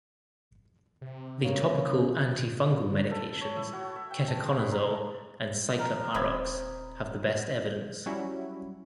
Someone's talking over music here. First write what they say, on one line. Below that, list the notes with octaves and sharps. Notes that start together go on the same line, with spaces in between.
The topical antifungal medications ketoconazole and ciclopirox have the best evidence.
C3
C#3 A#3
B5
A4
C#5
E4
F#4
E5
G5
A5
G#3
B5
A#5
A3
F3 A#4
D#1 C4 B5 D#6 G#6
F#3 G3 C#4 E4 F#4